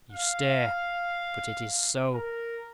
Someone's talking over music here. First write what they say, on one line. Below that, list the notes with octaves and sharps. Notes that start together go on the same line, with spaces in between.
You stare. But it is so.
F5
A#4